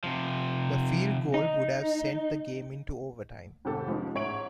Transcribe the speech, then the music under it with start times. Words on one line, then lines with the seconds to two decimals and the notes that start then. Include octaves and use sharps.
The field goal would have sent the game into overtime.
0.04 C3 F3
1.34 D#4
3.65 F1 G#2 C3 D#3 G4 A4
3.88 F3 G#3 B3 C#4 D#4
4.15 A1 G#2 C#5 E5 D7 F#7